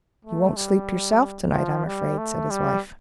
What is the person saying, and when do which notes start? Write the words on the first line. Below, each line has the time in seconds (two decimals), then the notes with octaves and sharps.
"You won't sleep yourself to-night, I'm afraid," said his wife.
0.25 A3
0.56 G3
1.53 F3
1.86 G3
2.18 A3
2.51 G3